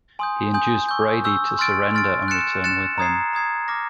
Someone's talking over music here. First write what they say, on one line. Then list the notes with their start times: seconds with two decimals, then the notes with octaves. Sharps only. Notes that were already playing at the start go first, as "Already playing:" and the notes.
He induced Brady to surrender and return with him.
0.19 G#5 C6 D#6 G6
0.54 G#5 C6 D#6 G6
0.89 C#6 E6 G6
1.24 C#6 E6 G6
1.59 C6 F6 A6 D7
1.94 C6 F6 A6 D7
2.28 F#6 A6 C#7 E7
2.64 F#6 A6 C#7 E7
2.98 A#5 D#6 G#6 C7
3.33 A#5 D#6 G#6 C7
3.68 D6 F6 A#6